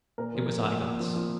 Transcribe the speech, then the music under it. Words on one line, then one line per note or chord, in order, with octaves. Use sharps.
It was I-Gos.
A#2 A#4
F3
A#2
A#2
A#2
F3
F3